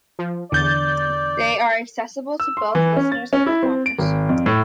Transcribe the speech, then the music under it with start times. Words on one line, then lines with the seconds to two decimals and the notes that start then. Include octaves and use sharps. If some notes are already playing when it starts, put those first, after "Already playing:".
They are accessible to both listeners and performers.
0.19 F3
0.52 E2 D3 D5 G6 A6
2.40 E6
2.57 C6
2.75 E3
2.96 C#4
3.12 A6
3.33 C#4
3.46 E4
3.63 C4
3.86 D7
3.99 G#1
4.29 F2
4.46 A2